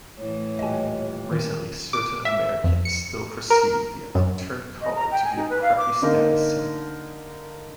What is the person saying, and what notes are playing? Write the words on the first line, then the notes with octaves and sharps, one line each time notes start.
Recently, certain Americans still perceive the upturned collar to be a "preppy" status symbol.
A2 E3 C#5
D#1 G4 D#5 G#5
D#3 C#4 A#4
D6
E5
F2
C#7
A#4
F#2
D#5
A#5
G5
G#5
D#4
B4
F5
D6
D3 A#3 D#4 A#4